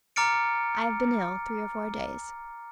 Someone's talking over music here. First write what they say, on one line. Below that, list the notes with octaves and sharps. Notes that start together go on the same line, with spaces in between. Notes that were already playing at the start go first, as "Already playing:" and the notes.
I have been ill three or four days.
A#5 D6 F6 A6 C#7 D7